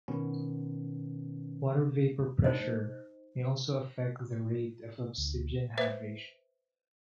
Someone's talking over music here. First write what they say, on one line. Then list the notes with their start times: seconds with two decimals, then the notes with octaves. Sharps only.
Water vapor pressure may also affect the rate of obsidian hydration.
0.08 B2 D#3 B3 C#4
2.44 D#4 C5 D#5
5.18 D2
5.78 B4 C5 E5